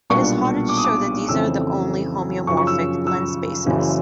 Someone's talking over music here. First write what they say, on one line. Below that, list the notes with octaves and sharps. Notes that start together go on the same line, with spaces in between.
It is harder to show that these are the only homeomorphic lens spaces.
B1 A#2 G3 B3 D4 C#6
D6
D#6
D6
F2 C#3 E3 A3 C4 E6
F#2 C#3 F3 C#6
C#6
E6
E6
F#1 F#2 C#3 E3